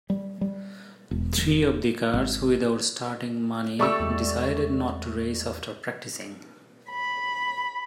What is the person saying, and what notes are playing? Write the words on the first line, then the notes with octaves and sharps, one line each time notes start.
Three of the cars without starting money decided not to race after practicing.
G3
G3
E1
G#1
A3 G4 D5 C#6 E6
E2 G#3
B5